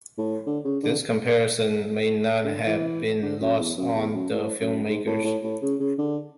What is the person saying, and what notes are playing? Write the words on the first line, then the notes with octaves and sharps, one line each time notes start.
This comparison may not have been lost on the filmmakers.
A2
D3
C#3
D3
C#3
D3
E3
D3
F#2
E2
F#2
E2
F#2
A2
F#2
G#2
A2
A2
A2
C#3
C#3
D3